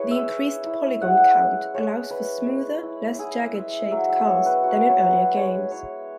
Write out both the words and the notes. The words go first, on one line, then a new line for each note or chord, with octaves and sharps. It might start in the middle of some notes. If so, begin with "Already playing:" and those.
The increased polygon count allows for smoother, less jagged-shaped cars than in earlier games.
Already playing: E4 G#4 B4 C#5
E5
E4
E4
G#3 F#5
C#4
G#3 C#5
G#3 B4
G#3
E4
E4 G#4
G#3 E5
F#3 E5
E5
B3 C#5
B4
F#3 F#4
C#5
F#3 B4
G#3 C#5
E4 C#5